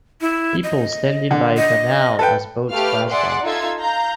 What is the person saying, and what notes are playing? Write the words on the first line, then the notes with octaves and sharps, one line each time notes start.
People standing by a canal as boats pass by.
E4
D#5
D3
D#5
A4 B4 G5
A3 G4 B4 F5 F6
G#4 D5 E5 F#5 C6
D#4 F4 A4 E5 E6 G#6
F5 A#5 G6